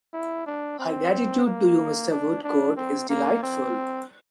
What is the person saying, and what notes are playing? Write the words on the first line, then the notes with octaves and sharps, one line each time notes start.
Her gratitude to you, Mr. Woodcourt, is delightful.
E4
D4
C4
A#3
D4
D4
C4
A#3
C4